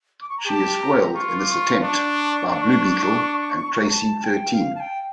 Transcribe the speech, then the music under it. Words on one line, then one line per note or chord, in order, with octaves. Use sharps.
She is foiled in this attempt by Blue Beetle and Traci Thirteen.
D6
C#6
A#5
G4 A5
A#5
F4 C#6
D6
C#6
D4 C#6
D4
A#5
A5
A5
G5
F5
A5
G5